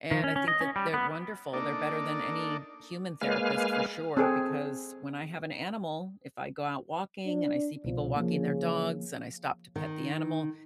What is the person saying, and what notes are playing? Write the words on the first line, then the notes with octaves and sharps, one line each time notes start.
and I think that they're wonderful. They're better than any human therapist for sure because when I have an animal, if I go out walking and I see people walking their dogs and I stop to pet the animal,
D#3
C#4
C#4
D#5
C#4
G3
B3
A#3 D4 D#4 A4 D5
G#3 A#3 B4 F5 G#5 F6
C4 G#4 A4
D4
C2 B2 F3
C#3 F3 A#3
D#3